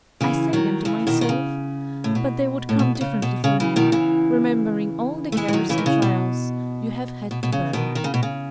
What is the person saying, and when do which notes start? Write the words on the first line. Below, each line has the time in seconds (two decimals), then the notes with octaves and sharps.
I say them to myself, but they would come differently from you, remembering all the cares and trials you have had to bear.'
0.21 C#3 E3
0.53 D#3 F#3
0.85 C#3 E3
1.07 B2 D#3
1.21 D#3
1.29 C#3
2.04 A2
2.15 B2
2.69 A2
2.79 B2
2.95 B2
3.01 C#3
3.22 B2
3.44 C#3
3.60 C#3 E3
3.76 B2 D#3
3.92 C#3 E3
5.32 A3
5.37 E3 G#3
5.48 E3
5.53 D#3 F#3
5.69 C#3 E3
5.78 D#3
5.86 C#3
6.02 B2
7.31 B2
7.43 B2
7.52 C#3
7.73 B2 D#3
7.95 D#3
8.04 C#3
8.14 B2
8.23 C#3